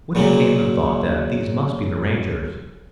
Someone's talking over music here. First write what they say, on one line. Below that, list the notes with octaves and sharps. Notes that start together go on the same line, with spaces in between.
With it came the thought that these must be the Rangers.
A#2 C#3 F#3 A#3